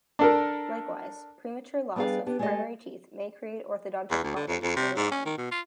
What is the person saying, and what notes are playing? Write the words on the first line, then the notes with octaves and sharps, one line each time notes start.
Likewise, premature loss of primary teeth may create orthodontic problems later on.
D4 A4 A#4
G3 B3 D4 G#4 F5
B3 D4 G4
G#3 A3 G4 A4 D#5
E2
D2
D3
F2
F2
C3
G#2
C#4
D#3
B2
F4